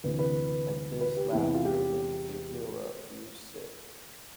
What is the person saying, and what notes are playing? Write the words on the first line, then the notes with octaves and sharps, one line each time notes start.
And this laughter made Figura feel sick.
D2 C3 E3 B4
B4
B4
G4
E2 C3 E3 E4
E4
F4
G4